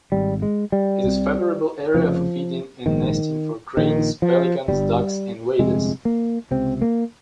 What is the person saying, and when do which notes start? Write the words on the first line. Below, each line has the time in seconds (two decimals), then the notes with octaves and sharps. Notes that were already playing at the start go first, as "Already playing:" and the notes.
It is favorable area for feeding and nesting for Cranes, Pelicans, Ducks and Waders.
0.12 G#1 G#2 G3
0.42 G#3
0.72 G3
1.04 C2 C3
1.94 F1 F2 C#3 F3
2.86 A#1 G#2 D#3
3.77 A#1 A#2 D#3
4.22 F3
4.68 G1 G2 G3
5.59 G1 F2 C3 G#3
6.05 A#3
6.51 C#2 C3 C4
6.82 A#3